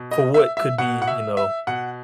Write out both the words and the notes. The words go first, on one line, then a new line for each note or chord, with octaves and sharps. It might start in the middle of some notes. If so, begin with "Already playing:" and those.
for what could be, you know,
Already playing: B2
D#5
E5
E5
B2 F#5
F#5
E5
E5
B2 F#5